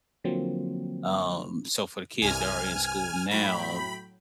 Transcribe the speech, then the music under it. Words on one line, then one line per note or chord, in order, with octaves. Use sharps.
Um, so for the kids that are in school now,
D3 F3 F#3 A#3 C4
C2 G2 C3 G#5 F6
A2 F#3 G5 B5